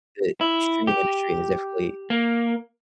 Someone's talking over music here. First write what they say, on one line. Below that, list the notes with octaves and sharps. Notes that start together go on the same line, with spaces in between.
the streaming industry has definitely,
E4
G4
A#3